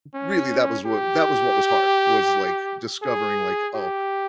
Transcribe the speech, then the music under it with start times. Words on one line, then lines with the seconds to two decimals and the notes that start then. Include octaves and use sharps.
really that was what that was what was hard, was, like, discovering like, "Oh,
0.15 C#4
0.86 G4
3.03 G#4
3.74 G4